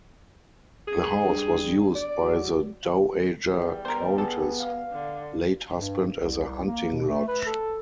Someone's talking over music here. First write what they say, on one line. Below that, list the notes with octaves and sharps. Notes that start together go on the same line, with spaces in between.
The house was used by the Dowager Countess' late husband as a hunting lodge.
G#4
G2
D5
F#3
E2 G3
B3 A#4 C5
G#4 A4
F5
D3
G2
C2
A#3
B2
A3
B4
A4